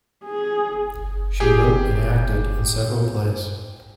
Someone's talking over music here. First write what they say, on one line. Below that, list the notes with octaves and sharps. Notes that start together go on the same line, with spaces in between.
She wrote and acted in several plays.
G#4
G4 G#4 G5